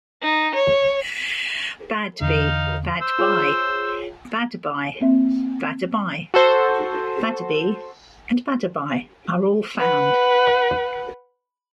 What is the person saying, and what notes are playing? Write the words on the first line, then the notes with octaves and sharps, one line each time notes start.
Badby, Badbye, Baddebi, Baddeby, Badebi and Badeby are all found.
D#4
C#5
E2 D3 D#4 F5
C5 E6
F4 G#4 C#5
A#3 C4 E5
F#4 A4 C5
B4 F#5